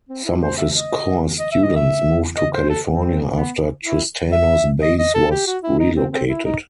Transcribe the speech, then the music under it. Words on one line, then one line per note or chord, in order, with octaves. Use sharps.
Some of his core students moved to California after Tristano's base was relocated.
C4
E4
C5
E5
D#5
D#5
E5
D#5
E5
D#5
C5
A4
C4
B3
E4
E5
D#5
D#5
A4
G4
F#4
E4
D#4
C4
C4
E4
D#4